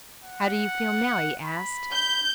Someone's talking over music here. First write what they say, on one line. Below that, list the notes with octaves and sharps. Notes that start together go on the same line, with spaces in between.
"How do you feel now?" he asked.
F#5
B5
G6